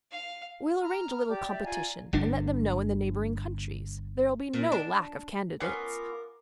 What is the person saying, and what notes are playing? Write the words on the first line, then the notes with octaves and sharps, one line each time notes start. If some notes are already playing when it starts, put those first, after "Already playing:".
We'll arrange a little competition, and let them know in the neighbouring countries; there'll be no lack of candidates.
F5
A#5 F6
G4 D5 D6 G6
G4 D5 E5
F4 D5 G#5 A#5
G1 D3 D4
A#2
D4
F#3 B3 C#4 F4 A#4 D6